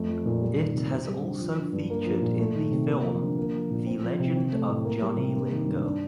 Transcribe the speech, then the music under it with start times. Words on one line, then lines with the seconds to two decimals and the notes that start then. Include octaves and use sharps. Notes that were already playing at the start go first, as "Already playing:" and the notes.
It has also featured in the film"The Legend of Johnny Lingo".
Already playing: F2 A3
0.08 F3
0.26 A#2
0.41 G3
0.57 D#3
0.74 C3
0.91 C4
1.07 G3
1.24 D3
1.39 F3
1.57 D3
1.73 G2
1.90 A#3
2.05 F3
2.22 A#2
2.39 A3
2.54 D#3
2.71 C3
2.87 A#3
3.04 F3
3.21 D3
3.38 A#3
3.54 F3
3.71 A#2
3.86 C4
4.03 F3
4.20 C3
4.35 C4
4.52 A3
4.68 A2
4.85 A#3
5.01 G3
5.18 C3
5.34 A#3
5.51 D#3
5.68 G2
5.84 D4